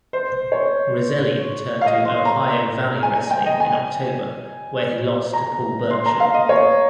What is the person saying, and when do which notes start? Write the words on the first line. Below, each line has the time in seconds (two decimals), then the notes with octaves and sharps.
Roselli returned to Ohio Valley Wrestling in October where he lost to Paul Burchill.
0.13 C5
0.52 C#5
1.81 F5
1.86 D#5
2.05 C6
2.25 A#5
3.03 G#5
3.31 G5
3.46 D#5
3.60 G#5
5.33 A#5
5.91 C6
6.06 A#5
6.20 F5
6.34 D#5
6.49 C#5